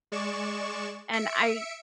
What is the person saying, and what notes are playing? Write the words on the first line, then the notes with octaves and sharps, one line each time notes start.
and I
G#3 D5 C#6 E7
E5 C#7 D7